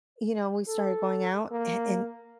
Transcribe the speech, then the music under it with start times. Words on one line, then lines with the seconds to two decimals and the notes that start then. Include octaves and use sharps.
you know, we started going out a and
0.68 A4
1.52 A#3